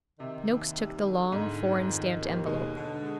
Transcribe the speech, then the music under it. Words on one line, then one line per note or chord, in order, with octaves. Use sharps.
Noakes took the long, foreign-stamped envelope.
C3 D#3
D#2
G3
D3
G#2 D3
F2
D#3
D#2
B2 G#3
D3
G#3